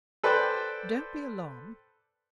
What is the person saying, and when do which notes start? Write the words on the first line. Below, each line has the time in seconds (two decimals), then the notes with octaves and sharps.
Don't be alarmed.
0.23 A4 B4 C5 D5 G5